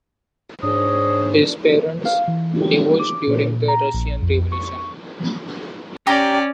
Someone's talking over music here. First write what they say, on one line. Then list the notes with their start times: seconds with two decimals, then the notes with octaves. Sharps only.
His parents divorced during the Russian Revolution.
0.63 G#2 D4 G#4 C5 C#5 D#5
2.05 F5
2.28 E3
2.62 G4
2.99 D6
3.27 A#2
3.68 A#5
3.94 A#1
4.22 F2
4.52 C#6
6.07 C#4 G4 D5 A#5